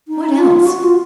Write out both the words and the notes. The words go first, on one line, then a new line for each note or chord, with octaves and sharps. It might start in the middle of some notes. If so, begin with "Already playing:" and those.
"What else?"
D#4
F4
F#4
F4